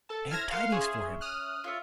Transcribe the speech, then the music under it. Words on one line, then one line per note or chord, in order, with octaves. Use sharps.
I have tidings for him.
A4 A5
E4 C5 F6 G#6 A#6
A#4 F5 F#5 C6
C#4 G#4 E5 C6
D#6 F6 F#6
F4 C#5 E5